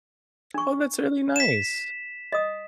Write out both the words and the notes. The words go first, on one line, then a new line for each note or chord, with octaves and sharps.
Oh, that's really nice.
D4 C#6
B6 E7
D#5 D#6